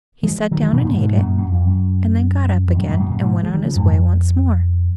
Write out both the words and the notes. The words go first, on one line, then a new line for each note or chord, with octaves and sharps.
He sat down and ate it, and then got up again and went on his way once more.
F3 G#3
D#3 F#3
D#3 F#3
B2 D#3
A#2 C#3
G#2 B2
F#2 A#2
F#2
F2
F#2
F2
F#2
F#2
F#2 A#2
F#2 A#2
G#2 B2
F3 G#3
D#3 F#3
C#3 F3
F2 G#2
F2